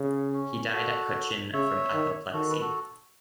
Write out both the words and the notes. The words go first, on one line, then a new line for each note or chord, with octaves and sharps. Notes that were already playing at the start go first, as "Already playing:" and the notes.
He died at Cochin from apoplexy.
Already playing: C#3
C#4
F#4 A4
C#3 C#5 E5
D#3
D#3 F#4 A4
B4
F#4 A4